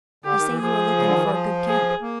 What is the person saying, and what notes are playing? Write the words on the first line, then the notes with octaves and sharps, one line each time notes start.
You say you are looking for a good camp.
D3 G4
D#3
E3
F3 G#4
C#3
D3
D#3
E3
F3
G#4
A#3